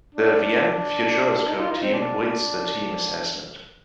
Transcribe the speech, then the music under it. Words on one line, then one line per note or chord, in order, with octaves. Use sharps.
The Vienne Futuroscope team wins the team assessment.
D4
D4
D#4
F4
D#4
C4
D4